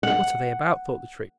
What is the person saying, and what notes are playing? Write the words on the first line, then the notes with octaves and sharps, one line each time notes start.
"What are they about?" thought the Tree.
F#5